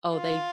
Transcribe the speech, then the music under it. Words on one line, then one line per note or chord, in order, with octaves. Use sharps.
Oh, they
F4